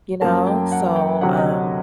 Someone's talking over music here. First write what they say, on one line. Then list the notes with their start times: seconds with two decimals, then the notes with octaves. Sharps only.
You know? So, um
0.21 F#2 F#3 A#3 A5
0.47 G5
0.72 F#5
0.96 G5
1.21 D2 C3 F#3 F#5
1.37 D#5
1.54 F#5